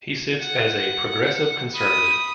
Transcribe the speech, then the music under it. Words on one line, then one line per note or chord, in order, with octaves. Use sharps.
He sits as a Progressive Conservative.
F#5
B5 D#6